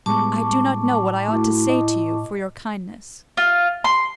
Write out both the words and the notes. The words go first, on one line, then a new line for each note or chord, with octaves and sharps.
"I do not know what I ought to say to you for your kindness."
A2 G3 G#3 B3 A5 C#6 D6
A3 E4 F#4
D#5
F4
C6